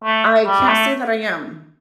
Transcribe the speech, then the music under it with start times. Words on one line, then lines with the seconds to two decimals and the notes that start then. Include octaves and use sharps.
I can't say that I am.
0.04 A3
0.47 G3
0.68 A3